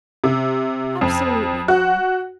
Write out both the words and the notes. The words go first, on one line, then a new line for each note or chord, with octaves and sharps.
"Absolutely no."
C3
F2
F#4